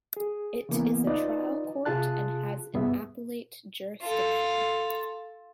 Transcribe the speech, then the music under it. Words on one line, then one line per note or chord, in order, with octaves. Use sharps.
It is a trial court and has an appellate jurisdiction.
G#4
C#3 E3 A#3 B3
D#4 F4 B4 D5 D#5
C3 F4 G#4 A5 F#6
C2 G2 B3 G#4 E5
F4 A4